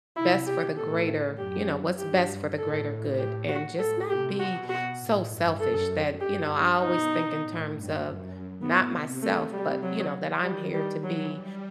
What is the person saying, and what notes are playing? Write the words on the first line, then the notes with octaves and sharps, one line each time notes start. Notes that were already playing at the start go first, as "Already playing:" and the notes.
best for the greater you know, what's best for the greater good, and just not be so selfish that you know, I always think in terms of not myself, but, you know, that I'm here to be
C3 E4
B2 G4
A2 A4
F#2 G4
G2 G4
A2 A4
G4
F#4
A2 A4
C3 G4
B2 F#4
F#4
A2
G2
F#2 A4
G2 G4
B2 D#4
A2
G2
F#2
A2 B3
C3
A3
G3
F#3
D#3 G3
G3
E3 F#3
G3